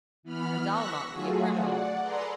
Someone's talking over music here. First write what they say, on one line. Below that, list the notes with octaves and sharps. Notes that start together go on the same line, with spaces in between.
And I'll not be a criminal.
E3 B3 B5 F6
C#6 E6 F#6 A#6 B6
F#3 A3 F4 F#4 G#4
D5 F#5
G#4 A4 B4 D5 A#5 C6